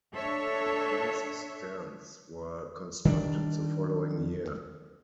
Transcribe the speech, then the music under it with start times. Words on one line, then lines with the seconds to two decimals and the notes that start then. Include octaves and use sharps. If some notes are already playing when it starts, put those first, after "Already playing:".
The first stands were constructed the following year.
0.13 D4 A4 C#5 E5
3.05 D#3 G3 D4